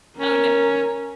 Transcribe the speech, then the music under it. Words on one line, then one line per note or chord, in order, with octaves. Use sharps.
Oh, no.
C#4 A#4